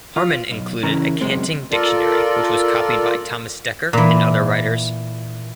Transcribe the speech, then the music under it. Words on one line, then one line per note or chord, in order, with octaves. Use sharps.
Harman included a canting dictionary which was copied by Thomas Dekker and other writers.
F4
B1
C#3 E3 A#4
F#2 C3 G#3 C4
F4 A4 A#4 D5
A#2 E3